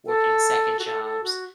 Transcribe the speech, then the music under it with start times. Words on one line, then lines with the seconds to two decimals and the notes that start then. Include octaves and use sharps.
working second jobs,
0.06 A4
0.79 F#4
0.85 A4
1.04 A4
1.24 F#4